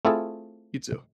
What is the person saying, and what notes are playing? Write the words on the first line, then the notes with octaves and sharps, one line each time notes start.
You, too.
A3 C4 E4 F4 G#4 A4